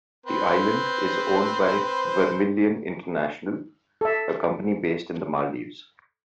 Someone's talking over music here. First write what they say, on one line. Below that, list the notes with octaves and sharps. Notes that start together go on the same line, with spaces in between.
The island is owned by Vermilion International, a company based in the Maldives.
C4 B4 C5
A4 E5